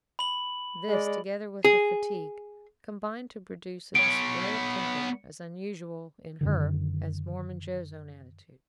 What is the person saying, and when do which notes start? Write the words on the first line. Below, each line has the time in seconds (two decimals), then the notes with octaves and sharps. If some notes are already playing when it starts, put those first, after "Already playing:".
This together with her fatigue combined to produce a display of temper as unusual in her as Mormon Joe's own attitude.
0.19 B5 F#7
0.89 G#3 D5
1.65 G#4
3.95 B3 C#5 D7
6.41 F#2 D3 D#3